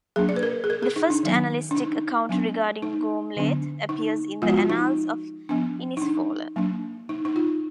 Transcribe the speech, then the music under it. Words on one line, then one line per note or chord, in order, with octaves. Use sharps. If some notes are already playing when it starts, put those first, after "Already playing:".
The first annalistic account regarding Gormlaith appears in the "Annals of Inisfallen".
F#3 A#3 D4 G#4
D5
B4
A#4
G#4
A#4
G#4
D#4
D4
D#3 F#3 B3
D4
D#4
F#3 B3 D4
D#4
D3 F#3 B3 D4
D#4
F3 G#3 B3 F4
F#4
F4
D#4
F3 B3 D4
D#4
D4
F#3 A#3 D4
D#4
D#4
F4